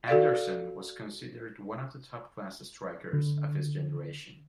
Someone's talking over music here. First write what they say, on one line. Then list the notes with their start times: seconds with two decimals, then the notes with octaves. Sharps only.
Andersson was considered one of the top-class strikers of his generation.
0.08 F#4 A4 D5 F5
3.13 D3